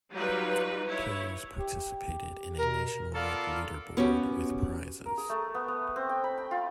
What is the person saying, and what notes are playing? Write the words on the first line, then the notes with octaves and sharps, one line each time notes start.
Players participated in a nationwide leaderboard, with prizes.
F#3 G3 D#4 F4 G4 B4
E4 C#5
G4
B2 A#4
B3 F4 A4 A#4 D5 F5
B3 C#4 F#4 G4
A#4
G#4
A3
B3
B3
C4
G5
B5
G5
F4